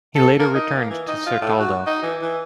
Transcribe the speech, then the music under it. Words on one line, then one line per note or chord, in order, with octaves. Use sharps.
He later returned to Certaldo.
A4
A#4
D#4
A#3
E3
D#4
F4
A2
F#4
D#4
E3
E3